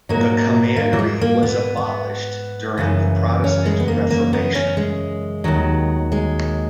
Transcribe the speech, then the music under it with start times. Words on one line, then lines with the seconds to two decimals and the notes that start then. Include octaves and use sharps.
The commandery was abolished during the Protestant Reformation.
0.09 G#2 F#3 A#3
0.76 A#3
0.93 F#3
0.99 G#3
1.21 A#3
1.43 B3
1.77 B3
2.77 F#2 C#3 E3
3.44 C#4
3.66 G#3
3.80 B3
3.88 A#3
4.11 A#3
4.33 B3
4.55 C#4
4.77 G#3
5.44 D#2 D#3 F#3
6.12 G#3